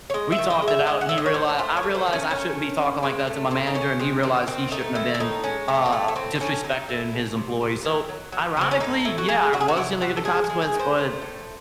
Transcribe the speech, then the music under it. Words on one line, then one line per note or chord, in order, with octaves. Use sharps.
we talked it out, and he reali I realized I shouldn't be talking like that to my manager, and he realized he shouldn't have been, uh, disrespecting his employees, so, ironically, yeah, I was gonna get a consequence, but
C#5
G#3 D#5
E5
D#3
D#5
G#3
E5
G#3 D#5
F#5
A2 E5
D#5
C#5
A2 C5
A3 C5
C#5
A3
C5
D#3
C#4
A3 C#4
D#3
D#3
G#3 C4
A2 A3
A2 C4
D#4
D#3 C#4
G#3 C4
D#3 C4
D#3 C4
A3 D#4
D#3 E4
E4
A2 D#4
G#3 C#4
A2 A3
C4
A2 A3
A3
A2 C4
C4
A2 C#4
F#3 D#4
A3 E4
C#3
C3
C3
E3
F#3
F#3
C#3 C4
C#4
A2 D#4
A2 E4
F#4
G#3 G#4
F#3 F#4
G#4
F#4
C3 E4
C3 F#4
A4
G#3 G#4
G#4
G#3
G#4
D#3
C5
A3
A2